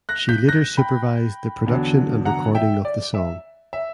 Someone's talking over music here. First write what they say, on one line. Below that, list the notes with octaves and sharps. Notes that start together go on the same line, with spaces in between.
She later supervised the production and recording of the song.
F#6 A#6
G6 B6
F#6 A#6
G5 B5
E2 D3 F#3
F#5 A#5
E5 G5
D5
E5
E5